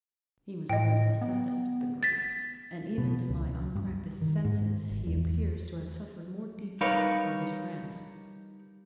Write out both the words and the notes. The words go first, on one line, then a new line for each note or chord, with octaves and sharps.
He was always the saddest of the group, and even to my unpractised senses, he appeared to have suffered more deeply than his friends.
A2 D#5 G5
B3
A6 B6
B2
C#2
G2
D#3
G#2
G#1
E2
G3 D#4 A#4 B4 C#5 F5